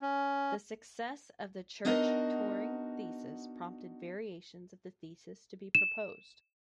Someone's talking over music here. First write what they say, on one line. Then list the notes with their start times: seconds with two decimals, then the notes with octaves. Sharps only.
The success of the Church-Turing thesis prompted variations of the thesis to be proposed.
0.02 C#4
1.85 B3 D4 D#4 F#4 A#4 D#5
5.75 E7